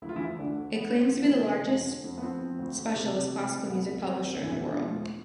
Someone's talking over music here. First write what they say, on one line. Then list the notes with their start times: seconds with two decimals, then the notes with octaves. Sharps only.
It claims to be the largest specialist classical music publisher in the world.
0.02 D2 E4
0.09 F4
0.16 E3 E4
0.20 D2
0.39 D2 D3 D4
0.57 D2
0.75 E3 B3
0.94 D2
1.00 C4
1.12 D2
1.24 E3 E4
1.31 C3
1.49 D3
1.67 F2
1.86 D3
2.04 F2
2.18 B3
2.22 F3 C4
2.41 F3
2.59 D2
2.78 D2
2.95 C3
3.14 C3
3.32 E3
3.50 C3
3.69 C2 B3
3.87 C2
4.06 C2 C4
4.25 C2
4.36 D4
4.42 B2 E3 E4
4.60 E2 D4
4.72 E4
4.79 B2 F3 F4
4.98 E2